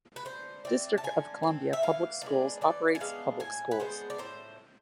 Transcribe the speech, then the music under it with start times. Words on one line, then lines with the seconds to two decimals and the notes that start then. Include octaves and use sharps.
District of Columbia Public Schools operates public schools.
0.16 B4
0.25 D3 C5
0.65 A3 C4 D5
0.98 A5
1.04 D3 G#5
1.43 A3 C4
1.73 E5
1.82 E3 F5
2.22 G#3 B3 D4 D5
2.61 E3 D5
2.95 G#5
3.00 G#3 B3 D4 F5
3.40 A2 G#5
3.71 B4
3.80 G#3 B3 D4 C5
4.10 D5
4.18 A2 C5